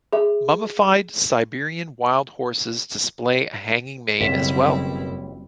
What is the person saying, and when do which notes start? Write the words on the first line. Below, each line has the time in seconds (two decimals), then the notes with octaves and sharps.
Mummified Siberian wild horses display a hanging mane as well.
0.13 G#4 E5
4.21 F#1 C#2 F#2 B2 G3 C4 E4 E5